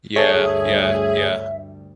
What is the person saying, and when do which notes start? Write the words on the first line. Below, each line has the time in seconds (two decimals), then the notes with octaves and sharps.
Yeah, yeah, yeah.
0.16 D2 G2 G3 G#4 A4 C#5 E5